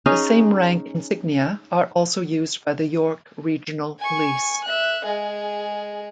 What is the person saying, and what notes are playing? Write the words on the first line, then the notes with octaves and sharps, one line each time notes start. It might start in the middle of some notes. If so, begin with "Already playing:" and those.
The same rank insignia are also used by the York Regional Police.
C#4 D#4 G#4
G#5 C#6
E5 F#6
G#3 G#4